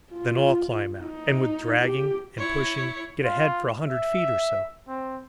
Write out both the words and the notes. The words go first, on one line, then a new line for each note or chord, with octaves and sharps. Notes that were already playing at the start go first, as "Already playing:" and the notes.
Then all climb out, and with dragging and pushing get ahead for a hundred feet or so.
F4
D#4
G4
E4 C#5
F4
E5
C4